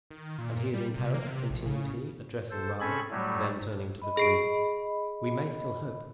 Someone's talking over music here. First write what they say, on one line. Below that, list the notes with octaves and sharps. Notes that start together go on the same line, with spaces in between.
And he is in Paris?" continued he, addressing Raoul; then turning to the queen: "We may still hope.
D#3
A#2
G3
C3
A#3
C3
A#1
C#3
A4 C5
C4 C#4 G#4 A4 B5 G#6
A2 F#3 G3 A3
D#5 B5
G#4 C7 D7